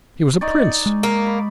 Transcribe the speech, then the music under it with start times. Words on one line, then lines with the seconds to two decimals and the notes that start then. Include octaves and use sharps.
"He was a prince!"
0.41 D#4 C#5 D5
0.86 G#3
1.03 A#3
1.27 B5